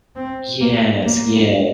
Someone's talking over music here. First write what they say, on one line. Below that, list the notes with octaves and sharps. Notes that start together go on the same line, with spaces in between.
Yes, yes,
C4
A#3
A#3